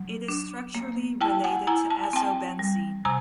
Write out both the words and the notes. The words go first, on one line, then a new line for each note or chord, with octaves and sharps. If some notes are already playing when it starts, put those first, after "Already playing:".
It is structurally related to azobenzene.
Already playing: F#3
D4
A#3
E4 G5 A5
F#5 G#5
E4 G#5 A#5
A5
G#5
C4 G5 A5
G3
C3 G#5 A#5